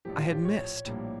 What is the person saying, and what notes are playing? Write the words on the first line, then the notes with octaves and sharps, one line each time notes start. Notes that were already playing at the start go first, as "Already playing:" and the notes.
I had missed!
A#1 A2 F3 G4
F4
G4
C#5
A#1 A2 G3 A#3